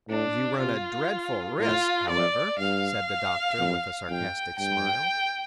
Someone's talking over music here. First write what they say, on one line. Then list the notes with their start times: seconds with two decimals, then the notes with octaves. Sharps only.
"You run a dreadful risk, however," said the Doctor, with a sarcastic smile.
0.09 A2 D4
0.60 C3 F4
1.59 A2 F4
2.10 F2 D5
2.59 G2 F5
3.59 F2
4.09 F2 G5
4.59 G2 G5